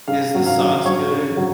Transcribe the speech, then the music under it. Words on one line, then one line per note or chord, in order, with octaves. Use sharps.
Is the sauce good?
C#3 F5
F#3
F5
F#3
F#3 C#5
C#3
F#3